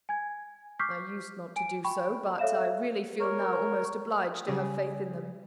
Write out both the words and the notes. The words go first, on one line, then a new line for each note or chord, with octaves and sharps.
"I used not to do so, but I really feel now almost obliged to have faith in them."
G#5 G#6
C#6 D6 F6 G6 B6 C7
G#5 D7
G5 B5 C#6
A4 C#5 E5 F5 E7
A#4 C#5
C#3 G3 G#4